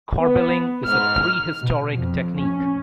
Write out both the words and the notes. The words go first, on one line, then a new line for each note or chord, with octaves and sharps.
Corbelling is a pre-historic technique.
B3
G#2 F6
B2
F2
C#4